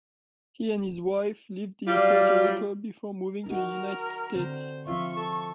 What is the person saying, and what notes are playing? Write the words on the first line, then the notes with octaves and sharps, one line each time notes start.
He and his wife lived in Puerto Rico before moving to the United States.
F#3 G3 F4 D5
D#4 F#4 A#4
D3 C4 C5
F3 C4 F4 E5 C#6
A4